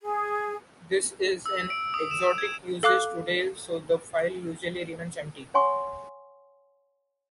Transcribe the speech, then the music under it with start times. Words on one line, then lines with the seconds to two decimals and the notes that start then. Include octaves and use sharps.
This is an exotic usage today so the file usually remains empty.
0.01 G#4
1.46 E6
1.70 D7
1.94 D#6
2.11 E7
2.38 G#6
2.83 A4 F5 D6 F#6
5.54 C#5 F#5 G#5 C6 C#6